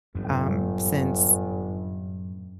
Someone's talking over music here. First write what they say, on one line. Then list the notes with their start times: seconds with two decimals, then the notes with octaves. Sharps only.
um, since
0.15 G1 F#2 A2 G3